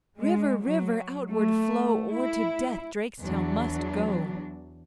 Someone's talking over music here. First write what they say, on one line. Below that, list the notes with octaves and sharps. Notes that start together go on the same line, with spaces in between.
'River, River, outward flow, Or to death Drakestail must go.'
G#3
F#3
A3
E4
E2 F#3 D4